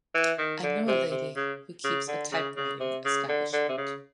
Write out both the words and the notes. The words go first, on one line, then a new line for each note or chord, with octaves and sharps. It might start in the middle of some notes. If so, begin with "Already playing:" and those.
I know a lady who keeps a typewriting establishment.
E3
D#3
D3
C3
C3
C#3
C#3
D3
C#3
C#3
C3
C#3
D3
D3
C3
C#3